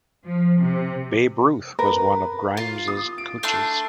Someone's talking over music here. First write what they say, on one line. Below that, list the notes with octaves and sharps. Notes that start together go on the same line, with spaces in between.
Babe Ruth was one of Grimes's coaches.
F3
C3
A#4 B4
F4
D#6
D7
A3 D4 C6